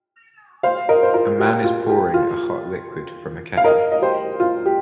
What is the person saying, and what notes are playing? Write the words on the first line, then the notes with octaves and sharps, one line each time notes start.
A man is pouring a hot liquid from a kettle.
C5 F5
A#4 D#5
C5
F4 A#4
G4
F4
G4
F4
F5
A#4 D#5
D#5
G4 C5
F4
G4